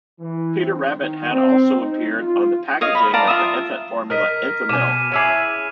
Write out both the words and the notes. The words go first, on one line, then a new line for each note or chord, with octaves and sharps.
Peter Rabbit had also appeared on the packaging of the infant formula Enfamil.
E3
C4
D#3
C4
D#4
F4
C#5 D#5 F5
B5
D5 F5 A5 A#5
F4 E5 D#6
A#4 D#5 F6 B6
B2 G#5 D6 D#7 E7
C#4 E4 G#4 D6 D#7